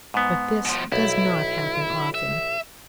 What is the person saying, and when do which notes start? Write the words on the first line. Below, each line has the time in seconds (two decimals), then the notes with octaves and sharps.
But this does not happen often.
0.14 G#2 B3
0.65 B2 F3
0.92 B1 E4
2.15 E5